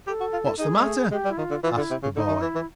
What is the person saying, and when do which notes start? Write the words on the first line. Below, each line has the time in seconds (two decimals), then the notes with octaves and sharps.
"What's the matter?" asked the boy.
0.07 G4 A4
0.20 F#4
0.33 F4
0.46 E4
0.59 D#4 G#4
0.77 G#3
0.86 A3
1.11 G#3 G4
1.25 G3
1.31 E4
1.37 D#3 F4
1.50 D3
1.64 E3 F4
1.76 D3
1.81 E4
1.90 C3
2.03 C#3
2.16 D3 D#4
2.28 D#3
2.41 E3 E4
2.55 E3